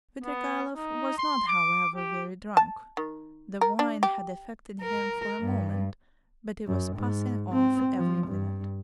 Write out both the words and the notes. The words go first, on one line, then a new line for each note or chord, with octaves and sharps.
Svidrigailov was not however very drunk, the wine had affected him for a moment, but it was passing off every minute.
B3
D#4
C6
D6
G4
A5
D#3
A#4
D4
G4
A#4
G2
F#2
G#2
C4
F3
G2